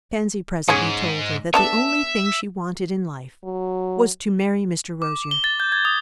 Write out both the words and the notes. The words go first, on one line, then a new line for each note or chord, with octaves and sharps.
Pansy presently told her that the only thing she wanted in life was to marry Mr. Rosier.
G#2 G#3 C#4 G#4
B3 D4 A4 E5
F#3
D6
G7
A6
G6
G#6
D#6